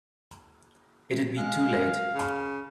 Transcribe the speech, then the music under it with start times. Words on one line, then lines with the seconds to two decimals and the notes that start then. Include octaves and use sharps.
It'd be too late.
1.38 G#3 F5
2.15 C#3